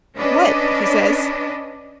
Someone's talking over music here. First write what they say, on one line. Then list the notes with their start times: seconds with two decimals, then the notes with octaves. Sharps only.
"What?" he says.
0.17 C#4 D4 B4 D#5